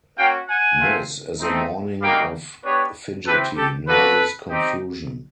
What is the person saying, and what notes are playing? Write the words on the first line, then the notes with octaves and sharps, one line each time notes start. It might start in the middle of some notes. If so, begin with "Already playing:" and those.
This is a morning of fidgety, nervous confusion.
A#3 C#4 F#4 F5 G5
F#5 G#5
A3 C4 F4
A3 C4 D#4
G3 A#3 D#4 F#4 F5 G5
B3 D4 G4 B4 C#5
C4 E4 G4 A4 B4
G4 A4
A#3 D4 F#4 A4 B4
C4 D#4 G4